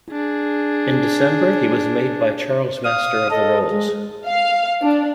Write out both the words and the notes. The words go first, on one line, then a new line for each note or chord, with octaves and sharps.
In December he was made by Charles Master of the Rolls.
D4 G#4
F5 D#6
A4 D#5
G#3
F5
D4